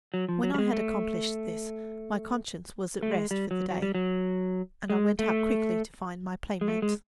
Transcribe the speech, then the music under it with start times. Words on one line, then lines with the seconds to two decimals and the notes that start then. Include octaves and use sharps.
When I had accomplished this my conscience was at rest for the day, and I went out quickly to find my playmates.
0.14 F#3
0.29 F3
0.43 F#3
0.54 G3
0.58 G#3
0.73 A3
3.03 A3
3.11 G#3
3.31 G3
3.51 F#3
3.71 F#3
3.82 G3
3.95 F#3
4.90 G#3
5.19 A3
6.61 G#3
6.68 A3
6.82 G#3